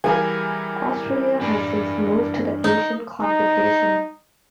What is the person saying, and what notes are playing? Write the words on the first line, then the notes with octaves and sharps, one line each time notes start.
Australia has since moved to the Asian confederation.
E3 G3 A#4 G#5 D#6
D4 B4
D#4
D#4